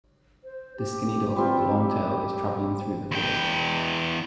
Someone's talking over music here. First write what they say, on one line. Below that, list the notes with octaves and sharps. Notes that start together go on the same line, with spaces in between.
The skinny dog with the long tail is traveling through the field.
C5
G4
G3 C4 F4
G4
E2 G5